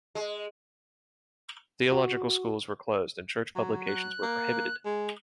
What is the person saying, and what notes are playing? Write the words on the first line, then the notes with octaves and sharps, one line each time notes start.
Theological schools were closed, and church publications were prohibited.
G#3
F#4
F#3
F#6
A#3
G#3